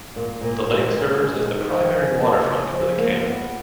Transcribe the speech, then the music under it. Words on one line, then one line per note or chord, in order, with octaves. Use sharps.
The lake serves as the primary waterfront for the camp.
A#2
A#2
A#2
A#2
G#3
D#4
F3
C#3
A#3
C#3
F3
A#3
B3